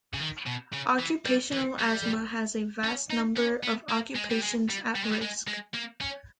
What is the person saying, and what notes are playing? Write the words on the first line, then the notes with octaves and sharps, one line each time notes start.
Occupational asthma has a vast number of occupations at risk.
C#3
D#3
B2
C#3
E3
G3
E3
G3
C#4
D#4
C#4
B3
A#3
G#3
G3
G#3
G3
G3
G#3
G3
G#3
G#3
A#3
C#4